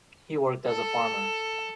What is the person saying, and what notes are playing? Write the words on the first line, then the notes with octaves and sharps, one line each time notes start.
He worked as a farmer.
A4